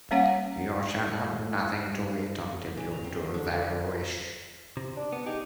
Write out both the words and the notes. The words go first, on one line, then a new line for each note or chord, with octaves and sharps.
You shall have nothing to eat until you do as I wish.
G3 A#3 C#4 C#5 F5 F#5
E3
A#5
C4
D#4
D3
D3
C3
D4
B3
D#4 G4 G#4